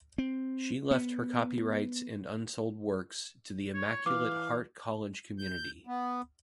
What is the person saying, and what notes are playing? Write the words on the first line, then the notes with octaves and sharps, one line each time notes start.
She left her copyrights and unsold works to the Immaculate Heart College Community.
C4
B3
C#5
E3 F5 D6
G6
B3